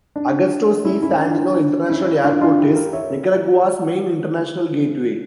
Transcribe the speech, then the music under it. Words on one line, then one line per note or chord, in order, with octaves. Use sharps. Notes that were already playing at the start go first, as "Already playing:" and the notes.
Augusto C. Sandino International Airport is Nicaragua's main international gateway.
D4
C#4 E4
C#4 E4
D4
D4
C#4 E4
D4 F4
D4 F4
E4 G4
G4 A#4
C#5 E5